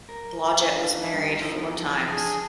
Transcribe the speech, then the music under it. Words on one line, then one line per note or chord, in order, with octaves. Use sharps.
Blodgett was married four times.
A#4
D4 F5 A5
D#4
G2
E2 F3 A4
D4 G#4 G#5 A5